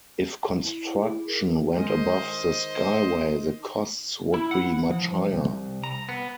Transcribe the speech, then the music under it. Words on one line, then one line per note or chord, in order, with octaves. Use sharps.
If construction went above the Skyway, the costs would be much higher.
E4
G#4
A#4
D#3 G#3 C5 D#5
E4
F#5
F3
C2
A#5
B3